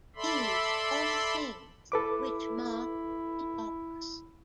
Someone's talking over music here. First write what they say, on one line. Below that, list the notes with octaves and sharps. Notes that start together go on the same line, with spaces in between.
These are the things which mark epochs.
A4 D5 E5 B5 C6
E4 A4 B4 D6